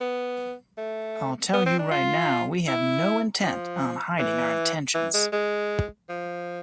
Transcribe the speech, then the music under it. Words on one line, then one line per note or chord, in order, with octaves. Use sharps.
I'll tell you right now, we have no intent on hiding our intentions.
B3
A3
B3
C4
D4
F4
E4
F3
E3
E3
G#3
G#3
F3